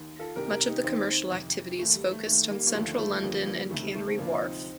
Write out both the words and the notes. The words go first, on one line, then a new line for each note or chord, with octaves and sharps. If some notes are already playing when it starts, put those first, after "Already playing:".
Much of the commercial activity is focused on Central London and Canary Wharf.
Already playing: D#2 D#3
F4 A4
C2 C3 D#3 G4 A#4
G4 A#4
D#4 G4
D#2 D#3 C4 D#4
F2 C3 D#3
D#2 D#3 A3
G3
A3
D#2 D#3 A3
G3 A#3
A#3
D#2 D3 F3 A3
A3
F2 D3 F3 G3 A#3
G3 A#3
D2 C3 D#3 A3
G3
A3
A3 C4
D2 C3 F3 A#3 D4
F4
C4 D#4